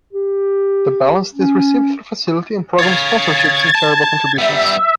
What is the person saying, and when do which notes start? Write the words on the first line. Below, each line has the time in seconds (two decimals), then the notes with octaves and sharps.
The balance is received through facility and program sponsorships and charitable contributions.
0.13 G4
1.34 C#4
2.79 C#5 F5 G#6 A6
3.75 A5
4.38 G3 B3 E5